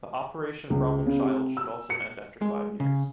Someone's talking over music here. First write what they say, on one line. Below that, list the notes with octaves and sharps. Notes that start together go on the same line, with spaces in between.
The "Operation Problem Child" should also end after five years.
C#2
C#3
C3
E6
C#7
G#3
C#3